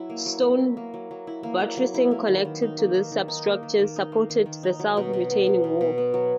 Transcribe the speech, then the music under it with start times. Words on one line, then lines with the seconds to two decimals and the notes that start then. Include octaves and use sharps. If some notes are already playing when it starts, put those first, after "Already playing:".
Stone buttressing, connected to this substructure, supported the south retaining wall.
Already playing: F#3 E4
0.10 A#3
0.26 F#3
0.43 F#3
0.59 E4
0.77 A#3
0.94 F#3
1.11 F#3
1.27 E4
1.43 A#3
1.60 F#3
1.77 F#3
1.94 E4
2.11 A#3
2.28 D#3
2.45 D#3
2.62 D#4
2.78 A#3
2.95 D#3
3.12 D#3
3.28 D#4
3.46 A#3
3.63 D#3
3.79 D#3
3.96 D#4
4.12 A#3
4.30 D#3
4.46 D#3
4.63 D#4
4.79 F#3
4.97 B2
5.13 B2
5.30 B3
5.46 F#3
5.64 B2
5.81 B2
5.98 B3
6.14 F#3